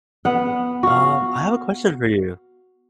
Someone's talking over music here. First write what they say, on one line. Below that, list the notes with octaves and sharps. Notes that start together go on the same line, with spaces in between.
Um, I have a question for you.
B3 F#5
F#4 F5